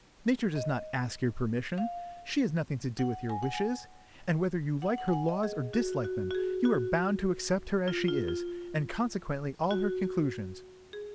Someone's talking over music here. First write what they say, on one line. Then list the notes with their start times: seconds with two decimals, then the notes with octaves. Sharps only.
Nature does not ask your permission, she has nothing to do with your wishes, and whether you like her laws or dislike them, you are bound to accept her as she is, and consequently all her conclusions.
0.55 D#5
1.78 F5
2.99 F#5
3.29 G#5
3.43 F#5
3.54 G#5
4.82 F#5
4.98 F#5
5.08 G#5
5.13 F#5
5.29 D#5
5.43 G#4
5.73 F#4
6.05 F#4
6.31 F#4
6.35 G#4
6.65 F#4
7.88 F4
8.08 F4
8.28 F4
9.71 F#4
10.93 G#4